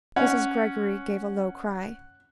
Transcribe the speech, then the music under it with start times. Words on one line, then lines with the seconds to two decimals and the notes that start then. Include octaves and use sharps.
Mrs. Greggory gave a low cry.
0.16 C#4 F#5